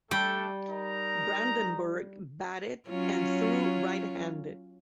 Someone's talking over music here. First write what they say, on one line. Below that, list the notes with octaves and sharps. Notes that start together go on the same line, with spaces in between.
Brandenburg batted and threw right-handed.
G3 A3 D4 A4 G5
D#4 A#4 A#5
F#3 C#4 F4